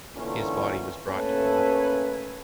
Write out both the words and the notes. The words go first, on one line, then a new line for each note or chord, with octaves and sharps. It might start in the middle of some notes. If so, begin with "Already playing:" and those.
His body was brought to Aleppo.
A#2 D3 E3 A3 C#4
A3 A#3 C#4 A4 B4 G#5